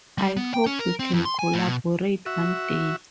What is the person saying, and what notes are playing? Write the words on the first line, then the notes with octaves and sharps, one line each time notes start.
I hope we can collaborate one day.
G3
B3
G5
C#4
A#4
C4
F2
C6
G#5
A2
B2
F#4 E5